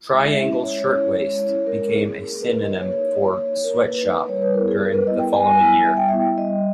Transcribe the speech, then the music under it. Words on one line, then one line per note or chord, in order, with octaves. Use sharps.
Triangle Shirtwaist became a synonym for "sweatshop" during the following year.
G#3 E5
C#4 E4
G#3 C#5
C#4 E4
G#3
E4
C#4
G#3 A#4
C#4 E4 G#4
A#3 G#4
B4
D#4 A#4
D#5
A#3 C#5
D#4
A#3
D#4
A#4
A#3 B4
D#4
G3 C#5
B4
B3 E4 A#4
G#4
G3 A#4
B4
B3 E4 D#5
G5
G3 G#5
B3 E4
G3 E5
G5
B3 E4 E5
G3 D#5